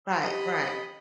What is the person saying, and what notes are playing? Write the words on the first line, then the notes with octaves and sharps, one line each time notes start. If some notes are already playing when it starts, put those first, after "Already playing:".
Right, right.
G4 D#5 B5